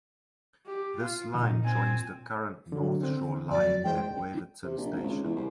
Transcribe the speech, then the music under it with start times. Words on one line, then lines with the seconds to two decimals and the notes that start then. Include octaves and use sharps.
This line joins the current North Shore line at Waverton station.
0.66 G4
0.97 F4
1.34 A#2 D#4
1.63 C4 G#5
2.72 D3 F#3
3.00 D3 C4
3.51 F2 F#3 D5 A6
3.84 E3 G#3 C5 G5
4.64 C3
4.77 A#1
4.92 G#1
5.04 C#2
5.23 E2
5.36 C2